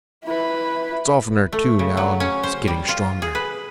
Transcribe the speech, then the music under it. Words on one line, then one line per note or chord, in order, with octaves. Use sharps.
It's oftener, too, now, and he's getting stronger.
E4 B4
A3
C#3
F#3
C#4
C5
G3
F4
G#4
B4